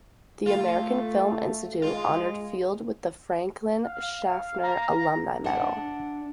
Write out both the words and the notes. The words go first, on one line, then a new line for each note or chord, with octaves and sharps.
The American Film Institute honored Field with the Franklin Schaffner Alumni Medal.
A3 F4
G#3 F4
F5
A#5
D4 F#5